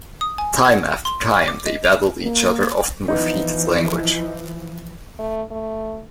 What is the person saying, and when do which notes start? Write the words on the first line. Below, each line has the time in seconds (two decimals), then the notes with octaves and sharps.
Time after time, they battled each other, often with heated language.
0.21 D#6
0.38 G#5
0.65 G#6
1.05 C6
1.48 D6
1.66 D#5
1.84 F7
2.24 A#3
3.08 E3 F3 B3 D#4
5.19 A3
5.51 A3